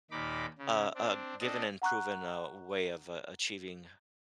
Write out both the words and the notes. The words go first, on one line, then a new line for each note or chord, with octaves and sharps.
a a given and proven, uh, way of a achieving,
D#2 A#2 D#4 B5 D6
C#3
C4 D4
C4 D4 A4 D#5
F#5 A#5 C#6 F#6